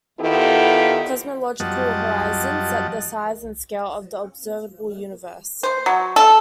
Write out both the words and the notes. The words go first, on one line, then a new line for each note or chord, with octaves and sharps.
Cosmological horizons set the size and scale of the observable universe.
D#3 B3 E4 F4 G4 A4
F#2 F3 G3 D#5 F#5 A5
C5
F#3
A4